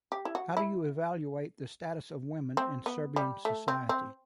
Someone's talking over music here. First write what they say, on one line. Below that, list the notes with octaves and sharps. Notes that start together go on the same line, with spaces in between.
How do you evaluate the status of women in Serbian society?
G4
E4
F#4
E4
C4
B3
G3
A3
C4
C4